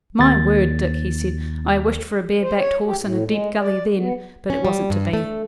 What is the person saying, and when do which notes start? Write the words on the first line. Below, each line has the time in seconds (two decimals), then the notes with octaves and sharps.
'My word, Dick,' he said, 'I wished for a bare-backed horse, and a deep gully, then; but it wasn't to be.
0.19 D#2 A6
2.42 C5
2.58 C#5
2.85 G4
3.02 A2
3.28 G#3
3.60 D5
3.98 B3
4.50 C#4
4.65 G3
4.90 G2
5.13 A3